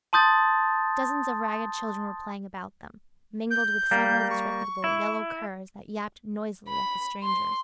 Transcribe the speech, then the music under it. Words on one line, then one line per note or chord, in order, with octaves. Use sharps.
Dozens of ragged children were playing about them, mingled with several disreputable yellow curs that yapped noisily at the strangers.
A5 C6 D#6 G6 A6
G6
G3 A#3
C#6
E4
B5
C6